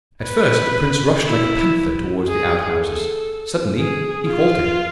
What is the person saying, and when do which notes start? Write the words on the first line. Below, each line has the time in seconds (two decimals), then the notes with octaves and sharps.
At first the prince rushed like a panther toward the outhouses. Suddenly he halted.
0.25 B4
1.26 E4
2.27 G#4
2.77 A4
3.78 G#4
4.28 F4